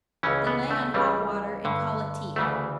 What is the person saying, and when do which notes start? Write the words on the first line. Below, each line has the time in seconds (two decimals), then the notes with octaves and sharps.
Then lay on hot water, and call it tea.
0.23 C#2 C#3 E3 C#4
0.47 B3
0.71 A3
0.94 C#2 C#3 E3 G3
1.65 G2 D3
2.36 D2 C#3 E3 A3